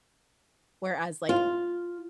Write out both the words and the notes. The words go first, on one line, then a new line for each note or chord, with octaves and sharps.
whereas, like,
F4